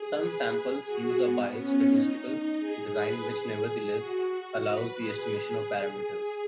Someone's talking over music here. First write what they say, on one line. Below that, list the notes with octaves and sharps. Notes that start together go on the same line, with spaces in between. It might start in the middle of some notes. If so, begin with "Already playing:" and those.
Some samples use a biased statistical design which nevertheless allows the estimation of parameters.
Already playing: G#4
B4
G#4
F#4
B3
C#4
D#4
G#4
B4
G#4
G#4
F#4
F#4
B4
G#4
G#4
G#4